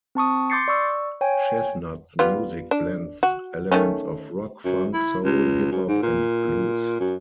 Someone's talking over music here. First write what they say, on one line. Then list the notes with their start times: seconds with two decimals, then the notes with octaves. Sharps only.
Chesnutt's music blends elements of rock, funk, soul, hip hop, and blues.
0.15 C4 A5 C#6 D#6
0.50 C6 D6 G6 A6 C7 C#7
0.68 D5 C#6 E6
1.21 C#5 G5 G#5
2.19 G3 B3 F4
2.71 D4
3.23 F#4
3.72 D#3 A3 C#4
4.65 F#2
4.94 E4
5.24 C#2
5.72 F#2
5.88 G#2
6.03 A#2
7.00 F#2